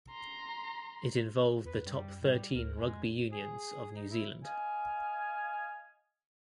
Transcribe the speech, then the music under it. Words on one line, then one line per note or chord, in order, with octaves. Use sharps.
It involved the top thirteen rugby unions of New Zealand.
A#5 C6
E2 B4
F#2 G3
A2 G3
D2 A#4
F2 G#3
G#4
D#4
E4
D#5 F5 G#5